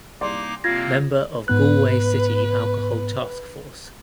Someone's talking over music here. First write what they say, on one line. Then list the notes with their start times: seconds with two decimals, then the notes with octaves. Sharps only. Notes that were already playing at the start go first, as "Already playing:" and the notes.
Member of Galway City Alcohol Taskforce.
0.21 C2 A#3 D#4 D5 C6 D6
0.64 C3 A#3 C4 F4 F5 G#6 A#6
1.48 G#2 B3 B4 F#6